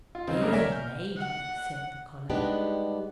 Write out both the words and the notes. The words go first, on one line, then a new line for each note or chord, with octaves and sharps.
"Dear lady!" said the collar.
F4
C#3 G#3 C4 D#4
G2 C#3 A#3 A#4
A#4 C#5 D5 E5 G#5 A#5
F6 G6
F#5
G3 G#3 B3 D4 D#4 G4